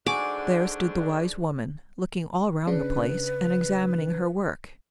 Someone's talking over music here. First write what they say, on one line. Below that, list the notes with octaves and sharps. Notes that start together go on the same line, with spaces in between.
There stood the wise woman, looking all round the place, and examining her work.
G#2 D3 D4 F#4 G#4 D6
C#3 D4 B4